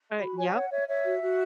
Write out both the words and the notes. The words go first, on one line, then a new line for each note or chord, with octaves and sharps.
Uh, yep.
F#4 B5
C#5 G#5
G#5
C#5 F#5
C#5 E5
C#5 E5
F#4
F#4